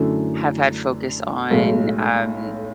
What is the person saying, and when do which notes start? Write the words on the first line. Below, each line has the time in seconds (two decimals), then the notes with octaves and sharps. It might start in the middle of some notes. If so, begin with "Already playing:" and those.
have had focus on, um,
Already playing: F#2 D3 A3 E4
1.50 B1 A2 G#3